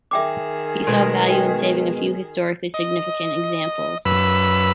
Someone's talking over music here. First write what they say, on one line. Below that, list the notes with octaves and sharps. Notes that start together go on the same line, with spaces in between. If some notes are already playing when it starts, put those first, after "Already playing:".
He saw value in saving a few historically significant examples.
D#3 G#4 E5 G5 D6
B2 G#3 A3 C6
F#4 G5
D#5
F#2 B4 B5 E6